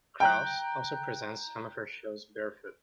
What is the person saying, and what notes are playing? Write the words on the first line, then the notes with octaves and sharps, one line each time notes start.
Kraus also presents some of her shows barefoot.
G5 A#5 F#6